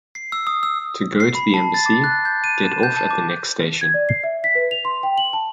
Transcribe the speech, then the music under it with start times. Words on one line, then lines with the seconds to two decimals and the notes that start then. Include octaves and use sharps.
To go to the embassy, get off at the next station.
0.15 C7
0.32 E6
0.47 D#6
0.63 E6
1.20 C7
1.35 B5
1.54 A5
1.74 A6
1.86 D6
2.04 F#6
2.25 G6
2.44 D#7
2.63 E7
2.83 G6
2.97 A5
3.10 D6
3.81 G#6
3.94 D5
4.09 C7
4.24 E5
4.44 B6
4.55 B4
4.71 F7
4.85 C6
5.03 G5
5.18 F#7
5.33 A5